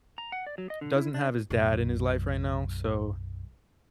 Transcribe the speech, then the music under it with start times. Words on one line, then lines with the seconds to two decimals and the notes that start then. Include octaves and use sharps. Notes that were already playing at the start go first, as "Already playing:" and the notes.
doesn't have his dad in his life right now, so,
0.18 A#5
0.32 F#5
0.47 D5
0.58 F#3
0.70 D#5
0.81 D3
0.96 E4
1.14 D4
1.50 B1 F#2